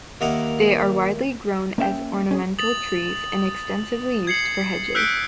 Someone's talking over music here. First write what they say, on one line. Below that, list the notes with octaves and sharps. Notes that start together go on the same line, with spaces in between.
They are widely grown as ornamental trees, and extensively used for hedges.
D#2 A#3 E4 D#5 F#5 A#5
A#3 C#4 E5 G5
C#4 G#4
D#6 A6 F#7
G#6 C7 C#7 F#7
E6 F#6 G6 B6 C#7 D7